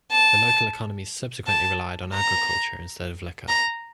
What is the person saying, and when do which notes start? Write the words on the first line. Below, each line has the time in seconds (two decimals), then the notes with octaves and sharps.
The local economy subsequently relied on agriculture instead of liquor.
0.12 A5
1.47 A5
2.14 A#5
3.48 A#5